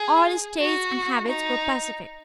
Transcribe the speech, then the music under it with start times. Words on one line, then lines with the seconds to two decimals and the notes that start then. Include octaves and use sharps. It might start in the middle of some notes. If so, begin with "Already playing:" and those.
All his tastes and habits were pacific.
Already playing: G#4
0.62 F#4
1.28 D#4